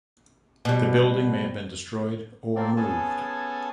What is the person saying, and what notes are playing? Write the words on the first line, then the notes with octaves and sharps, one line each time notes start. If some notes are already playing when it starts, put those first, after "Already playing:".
The building may have been destroyed or moved.
B2 G3
A#3 C4 F4 A4 A#4 D5
B3 C#4 G#4 A4 G#5 A5